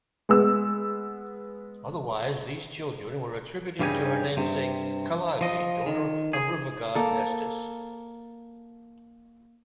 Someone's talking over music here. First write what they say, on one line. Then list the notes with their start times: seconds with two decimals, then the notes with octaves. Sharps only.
Otherwise these children were attributed to her namesake Calliope, daughter of river-god Nestus.
0.29 G#3 B3 E6
3.79 G2 C#3 G3 D#4 G#5
4.37 G2 C3
5.41 F3 D#5
5.86 D#3
6.33 G#4
6.95 A#3 A4